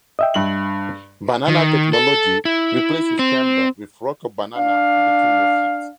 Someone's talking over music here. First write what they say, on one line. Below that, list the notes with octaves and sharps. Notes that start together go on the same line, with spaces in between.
Banana Technology replaces camber with rocker "Banana" between your feet.
D#5 E5 G5
G2 F#7
D#3
A4
E4
C4
D4 F5